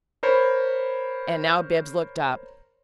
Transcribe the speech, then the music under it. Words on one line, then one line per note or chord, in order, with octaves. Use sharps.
And now Bibbs looked up.
A#4 C5 C#5 B5